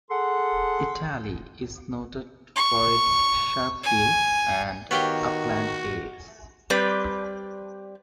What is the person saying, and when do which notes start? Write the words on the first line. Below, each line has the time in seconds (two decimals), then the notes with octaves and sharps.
Italy is noted for its sharp hills and upland areas.
0.11 G#4 A4 F#5 C6
2.56 C#6
3.84 G#5
4.91 D#3 B3 F#4 G4 C#5 F5 G5
6.70 G3 C4 G4 B4 D5